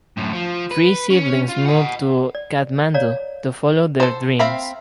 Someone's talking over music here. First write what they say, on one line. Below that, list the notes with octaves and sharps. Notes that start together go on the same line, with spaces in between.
Three siblings move to Kathmandu to follow their dreams.
F#2 A2
F3
B4
C#4
F4
D#5 F#5
D5
C#5 D5 F5 A#5
A4 C5
C4 E5 F5 B5